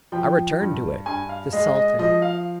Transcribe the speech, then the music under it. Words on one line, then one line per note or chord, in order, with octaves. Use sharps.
I returned to it--the Sultan.
F3 G5
G2
G2 G#5
F5
G#3 D#5
D#5
F3 D#5
F5